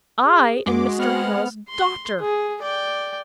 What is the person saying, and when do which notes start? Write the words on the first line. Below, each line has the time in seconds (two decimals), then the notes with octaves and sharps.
'I am Mr. Hale's daughter.
0.24 G#4
0.66 F#2 G#3 F#4 D6
0.98 B3 C4 F#5 F6
1.69 C6
2.20 G#4
2.62 D5 G5